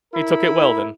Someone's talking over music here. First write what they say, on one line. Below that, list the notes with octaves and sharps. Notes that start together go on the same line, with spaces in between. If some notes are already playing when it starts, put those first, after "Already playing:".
He took it well then.
E4 A#4 B5